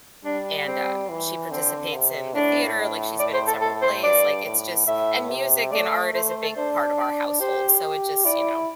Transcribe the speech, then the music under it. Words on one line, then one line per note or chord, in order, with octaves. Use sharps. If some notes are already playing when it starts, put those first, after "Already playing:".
and, uh, she participates in the theater, like she's been in several plays, like it's just and music and art is a big part of our household, so it just, you know,
G3 D4
C4
E3
D3 C4
C3
A2 D4
D5
C5
A4
A4
C5
G2 D5
A2
A2 E5
C3
A3 D5
A3 C5
C5
A4
D4 C5
D5
G4 C5
E4 D5